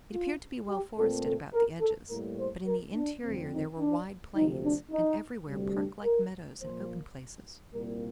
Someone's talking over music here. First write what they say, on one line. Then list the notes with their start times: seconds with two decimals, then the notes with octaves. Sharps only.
It appeared to be well forested about the edges, but in the interior there were wide plains, and everywhere parklike meadows and open places.
0.12 F4
0.69 G4
0.97 A#2 A3 C4 A4
1.25 A4
1.54 A#4
1.81 A4
2.09 A2 G3 A#3 A#4
2.38 C5
2.66 A#4
2.94 D4
3.23 F2 D3 A3 C4
3.51 D#4
3.79 D4
4.35 D2 C3 F3 D#4
4.63 D4
4.91 D#4
5.47 D2 C3 G3
5.75 D4
6.03 A#4
6.60 A#2 F3 A#3 C5
7.73 C2 A#2 G3 A#3 A#4